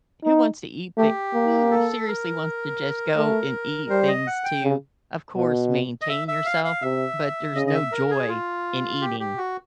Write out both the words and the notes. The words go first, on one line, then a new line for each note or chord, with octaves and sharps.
Who wants to eat thi who seriously wants to just go and eat things to, of course, maintain yourself, but there's no joy in eating.
D#4
A3 G4
A#3
A4
A#4
A3
G3 C5
D#5
F#5
G5
C#3
B2
D#5
E5
E5
F5
F5
C3 E5
C#3 D#5
D#5
E5
A#4
G#4
F4
G4
G4
F#4